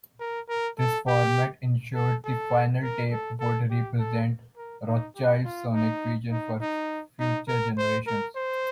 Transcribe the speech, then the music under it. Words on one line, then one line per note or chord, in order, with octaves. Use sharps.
This format insured the final tape would represent Rothchild's sonic vision for future generations.
A#4
A#4
A4
G4
A4
A4
A#4
A4
A4
G4
A4
A#4
D#4
G4
F4
D#4
D#4
D#4
D#4
A#4
C5
A#4
C5